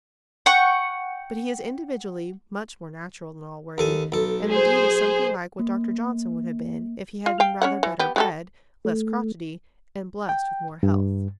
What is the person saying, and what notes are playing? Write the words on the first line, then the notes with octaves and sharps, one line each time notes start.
But he is individually much more natural than Allworthy, and indeed is something like what Dr Johnson would have been if he had been rather better bred, less crotchety, and blessed with more health.
F#5 G5 C#6
D#2 A4 G#5
B1 A4
G#4 C5
A#3
F4
F5 G5
C#4 C#5 F#5
E3
B3 G4
F#3 G3 A4
A3
G5
G2